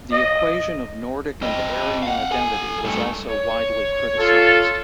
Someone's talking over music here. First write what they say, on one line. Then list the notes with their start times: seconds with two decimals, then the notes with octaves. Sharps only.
The equation of Nordic and Aryan identity was also widely criticized.
0.12 D#5
1.42 C4 D#5
2.03 F5 F#5
2.31 A4 G#5
2.84 G2 A3
3.29 C#5
4.19 F4 A4